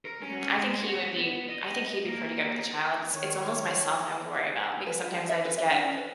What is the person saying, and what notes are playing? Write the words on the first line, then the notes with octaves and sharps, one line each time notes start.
Mhm, I think he would be I think he'd be pretty good with a child; it's it's almost myself I would worry about because sometimes I just get
A#4
C#4
G#3
F#4
B3
D#5
A#3
D#3 C#5
B4
F4
E3
E5
B4
E5
D4
C#4
B4